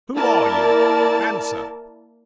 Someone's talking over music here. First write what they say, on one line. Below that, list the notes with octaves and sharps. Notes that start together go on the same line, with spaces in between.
Who are you? Answer!
A#3 E4 A#4 D5 A5